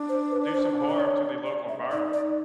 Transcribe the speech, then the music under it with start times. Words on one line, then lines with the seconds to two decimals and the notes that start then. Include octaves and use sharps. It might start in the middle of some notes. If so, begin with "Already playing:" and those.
do some harm to the local environment.
Already playing: D4
0.09 C5
0.31 B4
0.54 C5
0.89 D5
1.00 C#5
1.46 D5
1.69 E5
1.91 D#4 D5
2.13 D5